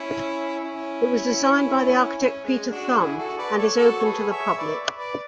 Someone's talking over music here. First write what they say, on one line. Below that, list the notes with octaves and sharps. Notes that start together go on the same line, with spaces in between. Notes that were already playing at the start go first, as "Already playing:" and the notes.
It was designed by the architect Peter Thumb and is open to the public.
Already playing: C#4 E4
C#4 E4
C#4
G#3
D4 F#4
E4 G#4
F#4 A4
B4 D5
A4 C#5
F#4 A4
C#5
G#4 B4
C#5 E5
B4 D5
B4 D5